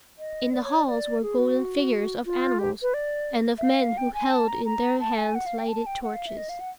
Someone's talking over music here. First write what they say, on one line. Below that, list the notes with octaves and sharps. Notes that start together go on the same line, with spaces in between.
In the halls were golden figures of animals, and of men who held in their hands lighted torches.
D#5
D5
C#5
D5
D5
G#4
F#4
F4
G4
B4
D5
E5
F5
G5
G#5
A5
A#5
A#5
A5
G#5
F#5
F5
G5
A5
G5
F#5
F5
E5
D#5
F5
F#5